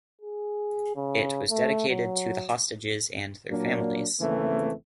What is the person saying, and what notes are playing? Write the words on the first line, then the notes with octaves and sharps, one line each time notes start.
It was dedicated to the hostages and their families.
G#4
C#3
A3
F#3
A#2 F#3 A#3 D4
G#1 C#3 E3 A3 A#3 C4